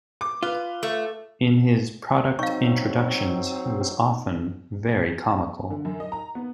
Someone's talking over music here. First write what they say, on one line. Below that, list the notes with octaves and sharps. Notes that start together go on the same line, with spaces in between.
In his product introductions, he was often very comical.
D6
F4 B4
A3
F#3 C4 D#4 F5 C#6
D3
F#2
D#5
A#5
B3